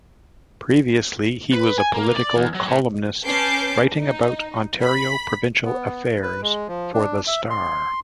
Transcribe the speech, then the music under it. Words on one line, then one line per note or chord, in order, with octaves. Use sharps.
Previously, he was a political columnist, writing about Ontario provincial affairs for the Star.
B4
G#5
A#3
D5
E2
F#3
A2
C#4 B4 A5 D6 G6 C7
D#4
B5
B3
B4
G#3
F3
D4
E5
C6